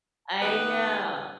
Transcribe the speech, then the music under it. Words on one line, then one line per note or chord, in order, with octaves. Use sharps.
I know.
D#3 B3 G4 B4